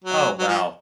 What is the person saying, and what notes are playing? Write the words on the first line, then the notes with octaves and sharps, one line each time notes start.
Oh, wow.
F#3
F#3
F3